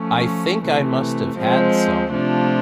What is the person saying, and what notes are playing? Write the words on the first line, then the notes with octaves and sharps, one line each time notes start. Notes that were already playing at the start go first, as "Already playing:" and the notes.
I think I must have had some.
Already playing: F3 A3 C#4
C3 E3 A3
F3 G#3 C4
C3 F3 A3 D4 F4